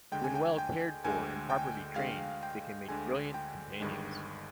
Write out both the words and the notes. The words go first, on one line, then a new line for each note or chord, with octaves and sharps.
When well cared for and properly trained they can make brilliant companions.
D2 D3 G#3 G5
G#5
G5
G5
D2 D3 G#3 G#5
G5
D2 D3 G#3 F5
G5
D2 D3 G#3 G#5
G5
G1 G2 D#3 G#3